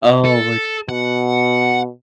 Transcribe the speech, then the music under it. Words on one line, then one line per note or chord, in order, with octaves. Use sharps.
Oh we're g
A4
B2 F#5